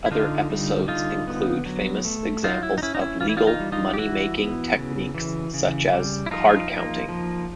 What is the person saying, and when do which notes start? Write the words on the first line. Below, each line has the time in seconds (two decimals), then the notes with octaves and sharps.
Other episodes include famous examples of legal money-making techniques such as card counting.
0.06 E4
0.11 D3 D#4 F4
0.50 G3
0.88 D3 D#4 F4
1.28 B3
1.66 F#3
2.05 A3
2.44 F#3 D#4 F4
2.63 E4
2.78 D#4
2.82 C#4 E4
2.95 D#4
3.01 E4
3.21 E3 F4
3.29 E4
3.37 D#4 F4
3.47 D#4 F4
3.60 G3
3.72 D#4 F4
3.93 G4
3.98 E3 E4 F#4
4.37 B3
4.76 C#3
5.15 E3
5.54 C#3
5.93 G3
6.26 E4
6.31 F3 D#4 F4
6.70 A#3
7.09 F3